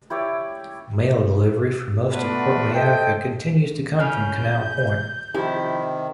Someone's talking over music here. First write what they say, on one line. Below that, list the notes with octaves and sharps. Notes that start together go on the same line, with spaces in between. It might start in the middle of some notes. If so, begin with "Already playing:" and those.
Mail delivery for most of Port Mayaca continues to come from Canal Point.
E4 G4 C#5 D5
A3 B3 D4 F4 F#4 B4
A4 C5 D#5 G5
C#3 C#4 E4 F6 G6
C3 D#3 F3 E4 G4